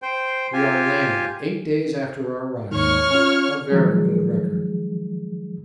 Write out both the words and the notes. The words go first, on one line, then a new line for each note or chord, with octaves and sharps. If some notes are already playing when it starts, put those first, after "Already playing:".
We are LANDED eight days after our arrival--a very good record.
C5 G5
F4 G4 G#5
D#2 G#2 D#3 C#5 C#6 F6
C#4 F4
D#3 F3 F#3 G#3 G#4